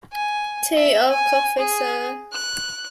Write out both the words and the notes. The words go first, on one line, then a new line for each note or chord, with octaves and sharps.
Tea or coffee, Sir?
G#5
E5
G#5
G#4
F#6